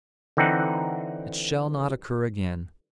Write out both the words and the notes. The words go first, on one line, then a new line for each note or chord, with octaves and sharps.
'It shall not occur again.
D3 E3 C4 D#4 F#5